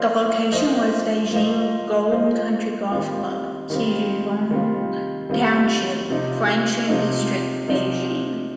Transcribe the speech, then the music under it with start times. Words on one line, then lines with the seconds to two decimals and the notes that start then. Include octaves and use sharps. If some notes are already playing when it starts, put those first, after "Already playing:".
The location was Beijing Golden Century Golf Club, Qinglonghu Township, Fangshan District, Beijing.
Already playing: F3 A#3 F4 C5 D#5
0.52 F3 A#3 F4 C5 D#5
1.31 F3 A#3 F4 C5 D#5
2.11 F3 A#3 F4 C5 D#5
2.91 D#3 G3 C4 F4
3.70 D#3 G3 C4 F4
4.50 D#3 G3 C4 F4
5.29 D#3 G3 C4 F4
6.09 C3 F3 C4 D#4
6.88 C3 F3 C4 D#4
7.68 C3 F3 C4 D#4